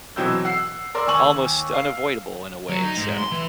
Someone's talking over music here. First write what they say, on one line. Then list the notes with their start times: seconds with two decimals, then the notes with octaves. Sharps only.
almost unavoidable in a way, so
0.16 B2 E3 F#3 C4 E6 G6
0.45 F#5 E6 C7
0.95 A#4 D5 C6 E6
1.07 D#2 G#5 C#6 E6 F#7
1.74 F5
2.69 F#3
2.83 D#4
2.97 G#2
3.18 C6
3.31 E3